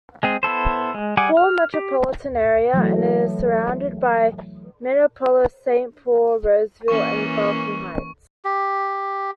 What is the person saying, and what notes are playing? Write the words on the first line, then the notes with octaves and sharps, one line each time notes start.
Paul metropolitan area and is surrounded by Minneapolis, Saint Paul, Roseville, and Falcon Heights.
G#3 C4 G#4
B3 E4 A4 C5
G#3
G3 G#4 F#5 G#5 D6
F6
G4
E3 F#3 A3
E3 A#3 C#4 C#6
G4